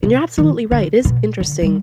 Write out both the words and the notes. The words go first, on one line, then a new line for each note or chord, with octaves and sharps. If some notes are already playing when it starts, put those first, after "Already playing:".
and you're absolutely right, it is interesting.
C3
D#3
D3
B2
D3
G3